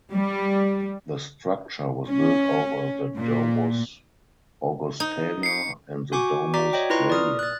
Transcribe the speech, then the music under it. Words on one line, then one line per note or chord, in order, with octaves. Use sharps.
The structure was built over the Domus Augustana and the Domus Flavia.
G3
C#4
A#2
D#4
C7 C#7
F#4 G#5 C#6 D6
F#4 D5 A#5 D6 B6
C#5 D#5 G5
E4 F4 B4 A#5 C6 C#6
D5 D#6 F6
F#6 A6